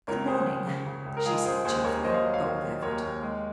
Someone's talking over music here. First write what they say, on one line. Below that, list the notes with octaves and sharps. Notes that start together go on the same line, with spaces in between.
"Good morning," she said, cheerfully, but with effort.
C#2 A#4 C#5
C#2 G#4 C5
C#3
C#3
C#3
C#2
A#4
G#3 F4 G#4
C#2 G#4 C5
D#2 G#4 C5
D#2 A#4 C#5
D#2 C5 D#5
C#5 F5
F#3
C#5 F5
D#3
F#3
D#2 A#4 C#5
D#2
G#3